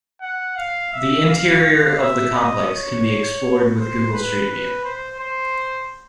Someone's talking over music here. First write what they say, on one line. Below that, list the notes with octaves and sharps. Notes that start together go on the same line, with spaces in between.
The interior of the complex can be explored with Google Street View.
F#5
F5
E5
F5
F5
E5
D#5
C#5
C5
B4
B4
C5
C5